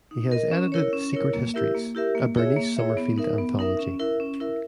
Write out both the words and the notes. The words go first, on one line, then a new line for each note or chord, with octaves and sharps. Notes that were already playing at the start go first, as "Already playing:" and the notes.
He has edited "Secret Histories", a Bernice Summerfield anthology.
D#4
A#4 D#5
C#4
E4 A#4 C#5
C#4
E4 A#4 C#5
A#3
E4 G4 A#4 E5
A#3
E4 G4 A#4 E5
A#3
E4 G#4 C#5 E5
A#3
E4 G#4 C#5 E5
B3
D#4 A#4 E5
B3
D#4 A#4 E5
C#4
E4 A#4 E5
C#4
E4 A#4 E5